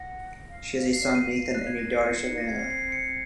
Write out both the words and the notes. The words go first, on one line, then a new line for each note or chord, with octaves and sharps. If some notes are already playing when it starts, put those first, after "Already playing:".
She has a son, Nathan, and a daughter, Savannah.
Already playing: F#5 A#6
F5
F5 C7
D#7
F5
F#6
G#6
A#4 A#6
C7
F4 C#7
D#4 C#7
A#6
C4 G#6
C7
C7
C#7